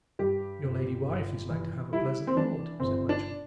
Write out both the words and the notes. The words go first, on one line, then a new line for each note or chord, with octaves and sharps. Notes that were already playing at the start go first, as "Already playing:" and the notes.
"Your lady wife is like to have a pleasant lord," said Matcham.
G2 G4
G1
G1
E3
G3 E4
C4
E3 D4
G1 C4
D4